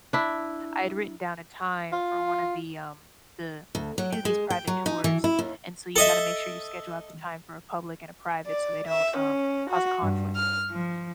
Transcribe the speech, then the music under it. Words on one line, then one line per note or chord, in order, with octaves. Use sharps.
I had written down a time for one of the, um the we do these private tours, and so you gotta make sure you schedule out the time for a public and a private so they don't, um, cause a conflict.
D4 E4
F4
D2
F#3
G5
G#3
G5
F#3
D#4
E3
E4
D#2
A4 D#5 E5
D5
E5
C#4
F#4
G2
F6
F3